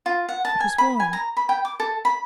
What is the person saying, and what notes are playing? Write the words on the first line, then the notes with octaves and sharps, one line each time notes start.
It was warm.
F4
F#5
A5
G#5
B5
G#5
A#5
B5
G5
D6
A4
B5